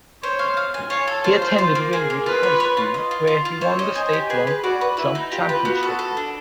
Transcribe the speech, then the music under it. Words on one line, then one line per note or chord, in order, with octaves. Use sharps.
He attended Wildwood High School, where he won the state long jump championship.
C5 C#5
F5
F5
G#5
F4 C#5
A4
F4 C5
F4
F4
A#3
G#4
A#3
F4 B4
C#5
C#5
F4
D#5
F4
F4
F4
C5 C#5
D#5
C5 G#5
G4
G#4 B4
B4
F#4 D5
B4
E4 B4
D#4
F4 G4
B4
B3 F#4
A4
A4
D4